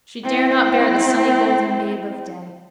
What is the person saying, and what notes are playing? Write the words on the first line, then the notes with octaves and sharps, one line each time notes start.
She dare not bear the sunnygolden babe of day.
C4 E4